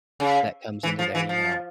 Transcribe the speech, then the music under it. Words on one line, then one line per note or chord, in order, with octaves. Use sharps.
that comes into there, you know,
C#3
E3
F3
E3
F3